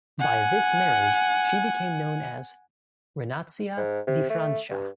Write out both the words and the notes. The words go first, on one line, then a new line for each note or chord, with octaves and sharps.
By this marriage, she became known as "Renatia di Francia".
F#5 G#5
G#2
C3
A3
G2